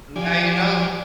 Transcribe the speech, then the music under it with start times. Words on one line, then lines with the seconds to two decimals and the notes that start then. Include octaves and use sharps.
Now you know.
0.16 F3 G4 D5 G#5